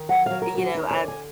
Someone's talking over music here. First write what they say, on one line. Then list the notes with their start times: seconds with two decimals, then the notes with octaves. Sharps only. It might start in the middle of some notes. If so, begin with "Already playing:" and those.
and you know, I
Already playing: D#3
0.09 F#3 F#5
0.26 F#3 F5
0.42 A#4
0.53 D2
0.58 F#4
0.75 D#2 D#4
0.91 D5
0.96 D3
1.08 G#5